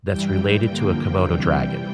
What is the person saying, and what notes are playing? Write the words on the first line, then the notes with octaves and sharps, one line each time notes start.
that's related to a Komodo dragon.
G2 E3 G3 G5
G5
G2 D3 F3 A#3
G5
C3 E3 G3